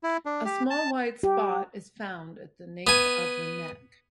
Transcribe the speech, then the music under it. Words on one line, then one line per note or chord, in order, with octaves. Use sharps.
A small white spot is found at the nape of the neck.
E4
D4
G4
A5
G4
B3 G#5